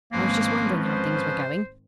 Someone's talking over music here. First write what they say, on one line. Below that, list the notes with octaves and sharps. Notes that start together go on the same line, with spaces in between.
"I was just wondering how things were going."
G#2 D#3 F3 A#3 C4 C#4 B4
C5